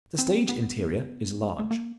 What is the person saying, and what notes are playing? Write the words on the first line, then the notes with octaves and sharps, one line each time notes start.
The stage-interior is large.
C4
B3
A3
A#3